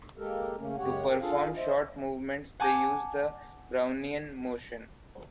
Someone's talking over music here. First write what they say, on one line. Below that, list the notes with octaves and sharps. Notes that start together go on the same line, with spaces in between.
To perform short movements, they use the Brownian motion.
G#3 A#3 G4 A4 A#4
C#3 A3 A#3 C#4
F#2 C#3 G#3 G4 C#5 F#5
C4 G4 A#4 G5 A5
D4 F4 G#4 A4 F5
C5 D#5 E5
F#5 G#5 A5 D6 G6 G#6